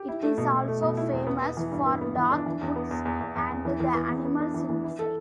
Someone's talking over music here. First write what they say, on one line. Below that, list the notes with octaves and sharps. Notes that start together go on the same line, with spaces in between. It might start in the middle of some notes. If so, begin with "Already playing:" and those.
It is also famous for dark woods and the animals inside.
Already playing: G4
E4
A3
B2
B2
A3
B2
E4
E2
B3
B3
E3
G2
B3
B3
E3
D4
E3
E2
B3
E2
E2
E2
E2
E2
E3
E3
B3
E2
B3
D4
E3
E3
E4
A4